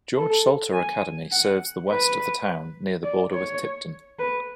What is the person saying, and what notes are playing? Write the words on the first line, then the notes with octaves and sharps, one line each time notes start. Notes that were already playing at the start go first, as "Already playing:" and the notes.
George Salter Academy serves the west of the town near the border with Tipton.
A4
G#5
F#5
B4
D5
C#5
B4